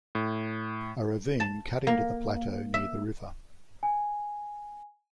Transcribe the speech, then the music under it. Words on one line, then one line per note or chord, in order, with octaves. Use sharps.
A ravine cut into the plateau near the river.
A2
A5
A#3
E5
G#5